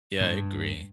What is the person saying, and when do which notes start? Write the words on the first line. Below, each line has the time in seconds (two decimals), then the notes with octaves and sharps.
Yeah, I agree.
0.21 G2